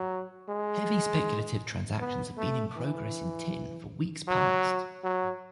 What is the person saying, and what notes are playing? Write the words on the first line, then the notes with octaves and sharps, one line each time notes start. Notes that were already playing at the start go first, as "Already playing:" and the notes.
Heavy speculative transactions have been in progress in tin for weeks past.
Already playing: F#3
G#3
B3
A3
E3
F#3
F#3